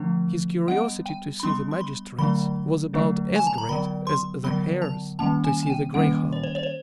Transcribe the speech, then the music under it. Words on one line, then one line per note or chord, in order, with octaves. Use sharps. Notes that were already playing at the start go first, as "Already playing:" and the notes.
His curiosity to see the magistrates was about as great as the hare's to see the greyhound.
Already playing: D3 F3 A3 D4
G3 B3 D4 F#5
G5
B5
G3 B3 D4 C6
C6
B5
D3 F#3 A3 D4 B5
D3 F#3 A3 D4
G#5
A5
A#5
D3 F#3 B3 B5
C6
D3 F#3 B3 B5
A5
D#3 G3 A#3 C#4 A5
G#5
G#5
G5
D#3 G3 A#3 C#4 F#5
C#5
C5
C#5
C5